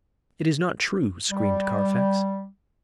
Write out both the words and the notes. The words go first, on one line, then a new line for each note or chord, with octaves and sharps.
"It is not true," screamed Carfax.
G3